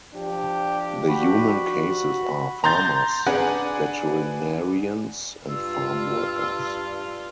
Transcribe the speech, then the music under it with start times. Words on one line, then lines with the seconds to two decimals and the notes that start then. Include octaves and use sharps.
The human cases are: farmers, veterinarians and farm workers.
0.13 F3 D4 G4
1.09 F#4 B5
2.64 A#5 C6 G6 A6
3.27 D4 G#4 B4 D5 F#5 G#5
5.49 G2 F4 E6